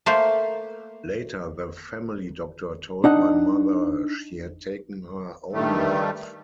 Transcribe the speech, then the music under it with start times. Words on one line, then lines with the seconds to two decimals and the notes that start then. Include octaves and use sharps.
Later the family doctor told my mother she had taken her own life.
0.06 A3 A#3 C5
3.04 D4 D#4 F#5
5.52 G2 D#3 G3 A3